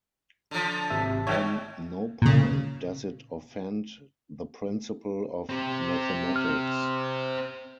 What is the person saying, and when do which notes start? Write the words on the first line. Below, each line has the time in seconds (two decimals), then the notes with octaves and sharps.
On no point does it offend the principle of mathematics.
0.51 D3 F3
0.90 G#1 C3 E5
1.27 E2 G#2 C#5 E5 G5
2.22 A#2 C#3
5.49 C4 G4
6.36 F6